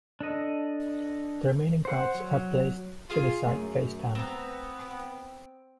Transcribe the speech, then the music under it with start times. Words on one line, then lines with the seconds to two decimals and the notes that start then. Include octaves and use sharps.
The remaining cards are placed to the side face down.
0.21 D4 A4 D#5
1.85 C5 F#5
2.15 F#3
3.10 F4 G#4
3.47 F#2 A3
4.15 B3 C4 A#5
4.85 G5